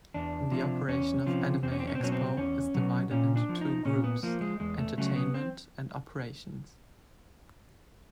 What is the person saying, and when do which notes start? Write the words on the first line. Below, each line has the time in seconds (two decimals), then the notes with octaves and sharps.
The operation of Anime Expo is divided into two groups: Entertainment and Operations.
0.14 E2 D4
0.51 C3 F3
0.88 E2 C#4
1.26 C3 F3
1.63 E2 C4
1.72 C#4
1.80 C4
1.87 C#4
1.95 C4
2.00 B2 F#3 C#4
2.12 C4
2.37 E2 C#4
2.75 B2 F#3
3.11 A#2 C#4
3.36 D4
3.49 F3
3.61 D#4
3.85 A#2 C#4
4.04 B3
4.23 F3 A#3
4.41 G#3
4.60 E2 G#3
4.79 A3
4.98 C#3 F#3 A3
5.16 B3
5.34 C4